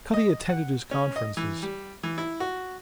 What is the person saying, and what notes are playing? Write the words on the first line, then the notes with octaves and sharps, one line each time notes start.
Cutty attended his conferences.
D#5
F#5
C#4
D#5
E3
G3
E3
E4
F#4